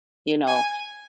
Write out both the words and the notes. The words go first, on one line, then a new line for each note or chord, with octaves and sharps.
You know,
G#5